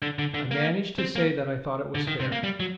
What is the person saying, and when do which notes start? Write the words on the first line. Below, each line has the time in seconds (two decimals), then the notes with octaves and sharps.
I managed to say that I thought it was fair.
0.02 D3
0.19 D3
0.34 D3
0.51 A#3
0.98 C4
1.16 A#3
1.95 D3
2.07 D#3
2.20 C3
2.32 A#3
2.43 G3
2.60 F#3